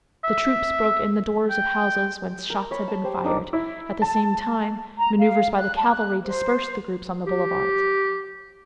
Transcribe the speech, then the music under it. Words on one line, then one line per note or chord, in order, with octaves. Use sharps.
The troops broke in the doors of houses whence shots had been fired; at the same time, manoeuvres by the cavalry dispersed the groups on the boulevards.
E5
G5
A#4
C#5 B5
A5
G4 C5
D4 D#4 A#4 D5
E4
A5
A#5
F5
F#6
A5
F#6
C5
G4